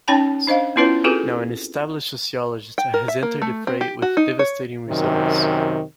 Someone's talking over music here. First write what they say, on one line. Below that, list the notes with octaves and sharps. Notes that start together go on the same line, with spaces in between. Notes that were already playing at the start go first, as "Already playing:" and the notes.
Now an established sociologist has entered the fray with devastating results.
C#4 D#4 C#5 G5 A5 B5
D4 C5 D#5 F5
B3 C#4 E4 F4 B4 C#5
C4 F4 F#4 G#4 A4 B4
G5
A#4
E5
A#3
A3
C4
G4
F#4
D#4
C#5
F#2 C3 D#3